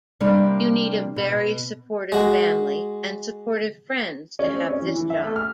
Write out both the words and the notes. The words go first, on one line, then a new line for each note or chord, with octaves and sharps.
You need a very supportive family and supportive friends to have this job.
C3 G3 A#3 D4
B2
G#3 F#4
C#4
C4
C#4
E3
E3
E5
A3
F6